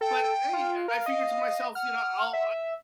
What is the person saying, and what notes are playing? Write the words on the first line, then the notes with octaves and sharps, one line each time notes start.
But hey, I figured to myself, you know, I'll
A4 G5
F4
A#4 F5
D#5
F#5 F6
E5